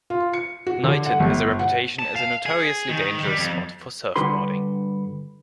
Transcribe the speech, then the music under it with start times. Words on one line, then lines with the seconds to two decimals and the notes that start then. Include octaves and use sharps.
Niton has a reputation as a notoriously dangerous spot for Surfboarding.
0.10 F4
0.34 C#7
0.67 F#4
0.84 D3
1.06 F#5
1.20 G1
1.59 F#5
1.99 A5
2.16 F5
2.46 G#4
2.89 D#3
3.24 G3
3.37 F2
4.16 G2 D3 F#4 B4 C6